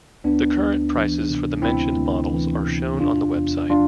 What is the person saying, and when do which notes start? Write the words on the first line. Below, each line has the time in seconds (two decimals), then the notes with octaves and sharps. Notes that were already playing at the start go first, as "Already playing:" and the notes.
The current prices for the mentioned models are shown on the website.
0.24 D2 B3 D4
0.59 D2
0.93 E3
1.28 C3
1.62 D2 C4 E4
1.97 D2
2.31 E3
2.66 C3
3.00 E2 D4 F4
3.35 E2
3.70 F3 D4 F4